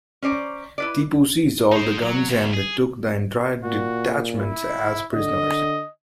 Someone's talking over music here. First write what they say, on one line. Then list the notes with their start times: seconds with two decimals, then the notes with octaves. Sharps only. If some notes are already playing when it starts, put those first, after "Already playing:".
Tipu seized all the guns and took the entire detachment as prisoners.
0.22 C#4 C5 D5 A#5
0.78 E4 B4 D5
1.72 D#4 C5
2.02 F#3
2.29 D2
2.54 G#4
3.64 A#2 F#4
4.37 E4
5.14 D3 D#5